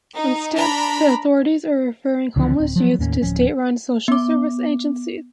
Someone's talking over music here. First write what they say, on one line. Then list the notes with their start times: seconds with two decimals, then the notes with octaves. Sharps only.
Instead, the authorities are referring homeless youth to state-run social service agencies.
0.15 D#4
0.54 D4 A#5 B5
2.36 C#2 D3 E3 F3
2.56 D1 C4
2.76 F3 F#3 B3
2.99 D#2 A2 A#3 C#4
3.22 D1 F3 C#4
4.08 B3 D6